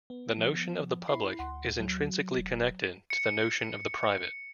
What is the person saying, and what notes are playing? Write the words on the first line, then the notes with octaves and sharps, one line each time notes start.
The notion of the public is intrinsically connected to the notion of the private.
B3
F3
E4 B5 C7
D2 F#5 C6
F#3
E1
C#7